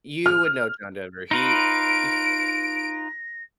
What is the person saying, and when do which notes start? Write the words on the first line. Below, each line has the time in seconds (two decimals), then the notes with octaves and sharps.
You would know John Denver. He h
0.26 F6
1.31 D#4 F4 B4 A#6 D7